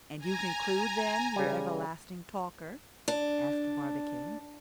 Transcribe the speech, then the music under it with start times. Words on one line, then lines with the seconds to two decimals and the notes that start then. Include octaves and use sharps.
"And you conclude, then, you everlasting talker?" asked Barbicane.
0.18 G#5 A#5
1.36 C#3 G3
3.08 D4